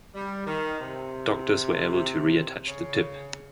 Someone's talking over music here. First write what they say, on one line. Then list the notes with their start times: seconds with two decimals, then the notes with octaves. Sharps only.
Doctors were able to reattach the tip.
0.15 G3
0.46 D#3
0.78 C3
2.67 C#3